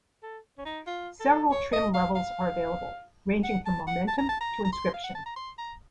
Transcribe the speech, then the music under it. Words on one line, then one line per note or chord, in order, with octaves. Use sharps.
Several trim levels are available, ranging from "Momentum" to "Inscription".
A4
C#4
D#4
F4
A4
C#5
D#5
F5
F5
F#5
A5
F#5
A5
A#5
A5
A#5
A#5
C6
F5
F#5
A5
A#5
C6
A#5